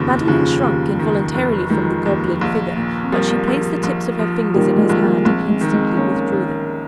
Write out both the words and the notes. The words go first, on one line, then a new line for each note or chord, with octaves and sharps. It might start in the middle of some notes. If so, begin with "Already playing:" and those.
Madeline shrunk involuntarily from the goblin figure, but she placed the tips of her fingers in his hand and instantly withdrew them.
Already playing: F1 D#2 C#3 F3
D#2 C#3 F3
D#2
D#3
F1
D#3 F3 G#3
D#2
A#1
A#2
C4
F3 G3 A#3
A#1
A#1
F3
A#2 D#3 G3
F3 G#3
A#1
G3 A#3
A#1 G#3 C4
G#3 C4
D#3
G#3 C4
D#3 A#3 C#4
D#3